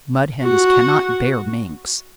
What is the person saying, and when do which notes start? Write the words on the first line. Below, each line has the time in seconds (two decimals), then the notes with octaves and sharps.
Mud Hens cannot bear Minks.
0.43 F#4